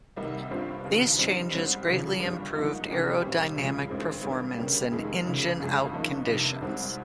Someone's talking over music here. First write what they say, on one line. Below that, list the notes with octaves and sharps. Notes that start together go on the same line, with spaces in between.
These changes greatly improved aerodynamic performance in engine-out conditions.
C2 C3 G3 A#3 D#4
G1 G2 G3 C4 F4
F1 D#2 C#3
G2 G3 C4 D#4
G#2 G3 C4
D#2 C#3 F3
G1 G2 G3
G#2 F3 A#3 D#4
C3 D#3 G3 C#4 G4
A#2 G3 C4
C#2 C#3 F3 G#3
G#1 G2 D#3 G#3 C4
G2 G3 A#3
C#3 G3 A#3 C#4 G4
F1 F2 D#3 G#3
C#2 C#3 F3 A#3 C#4
G1 F2 C#3 G#3
G1 G2 F3 A#3 D#4
F1 F2 C3 D#3
G#1 G#2 G3 C4